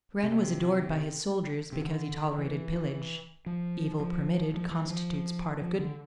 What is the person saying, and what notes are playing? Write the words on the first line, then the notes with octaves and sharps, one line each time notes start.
Turenne was adored by his soldiers because he tolerated pillage; evil permitted constitutes part of goodness.
C3
C3
D3
E3
F3
F3
F3
E3
F3
F3
D3